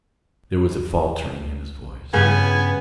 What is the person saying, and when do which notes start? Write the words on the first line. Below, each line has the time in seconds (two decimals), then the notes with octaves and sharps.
There was a faltering in his voice.
2.14 G2 C#3 B3 G#5